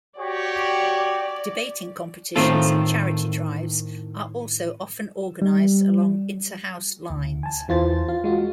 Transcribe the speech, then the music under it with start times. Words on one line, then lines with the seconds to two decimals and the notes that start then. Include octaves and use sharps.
Debating competitions and charity drives are also often organised along inter-house lines.
0.19 F#4 G4 C#5 D5
2.36 A2 D#3 C4 F4 A4
5.42 G3
7.10 D2
7.43 G#5 A5
7.68 E2 E3 F4 C5 A6
8.08 F4 F5
8.24 G#3 F4 F#4